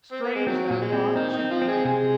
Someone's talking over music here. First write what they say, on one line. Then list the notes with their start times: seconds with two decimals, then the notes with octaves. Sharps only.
Strange that thought should come!
0.12 C4
0.23 A#3
0.35 G#3
0.47 D#3 F#3 C4
0.70 A#2 F#3
0.81 G#3
0.93 C4
1.15 D#3 C4 D#4
1.33 D#3 D#4
1.39 C4
1.50 F3 F4
1.62 C4
1.67 G#3 G#4
1.85 C3 G#3 G#4